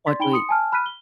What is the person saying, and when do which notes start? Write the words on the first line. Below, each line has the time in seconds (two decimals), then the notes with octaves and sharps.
What do we
0.07 D5 C6 A6 B6
0.20 D#4 G5 B5 D7 G7
0.32 C6 D#6 C#7
0.49 G#5 A5 F6
0.72 B5 F6 F#6 B6 D#7
0.86 G7